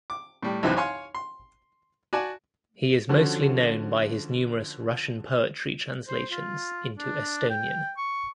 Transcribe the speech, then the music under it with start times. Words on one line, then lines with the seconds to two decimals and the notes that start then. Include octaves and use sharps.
He is mostly known by his numerous Russian poetry translations into Estonian.
0.10 D6
0.43 A2 G3
0.63 B1 F#2 C3 E3 C4 F#6
0.77 C#5 F5 G#5 C6 C#6
1.15 C6
2.13 F#4 D5 G#5 A5
3.09 D3 F3 C#4 F#4
6.08 C5
6.31 F4
6.98 D4
7.50 G5
7.97 C#6